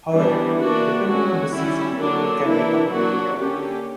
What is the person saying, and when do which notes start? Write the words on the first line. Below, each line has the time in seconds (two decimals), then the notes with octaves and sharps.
However, depending on the season, it can be completely dry.
0.12 E3 G3 B3 D4
0.59 E3 A#3 D4 F#4
1.05 F#3 C#4 F#4
1.51 G3 C#4 E4
1.97 D3 F#3 A#3 D4
2.44 E3 A#3 D4 E4
2.89 F#3 A#3 D4 F#4
3.36 D3 A#3 C#4 G4